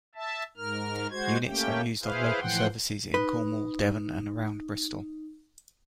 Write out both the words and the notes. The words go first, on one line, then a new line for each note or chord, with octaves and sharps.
Units are used on local services in Cornwall, Devon, and around Bristol.
E5 A5
G#2 A#4 F6
G#3 F#4 C5 G#6
A3 A#3 C#4 G4 G5
E4 G#4 B4 C5 F5
A2 E3 F3 F#5 G5 C6
D#4 B4